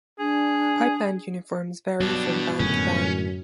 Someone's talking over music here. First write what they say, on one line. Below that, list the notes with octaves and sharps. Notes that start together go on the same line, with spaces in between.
Pipe band uniforms vary from band to band.
D4 G#4
G2 B2 F#3 D4
F#2 A2 D3 G#3 C#4